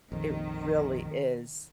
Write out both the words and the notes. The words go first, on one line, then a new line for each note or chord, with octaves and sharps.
It really is.
A#1 F2 D#3